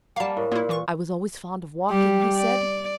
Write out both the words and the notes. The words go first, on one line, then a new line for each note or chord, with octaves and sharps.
"I was always fond of walking," he said.
G3 A#3 F5 F#5 A5
A2 A#4
A#2 A#3 E4
E3 F4 C#6
G3 G4
D5